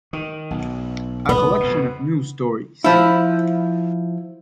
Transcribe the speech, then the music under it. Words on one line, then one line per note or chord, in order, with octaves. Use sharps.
A collection of New Stories.
D#3
B1
B3
F2 B2
F3 E4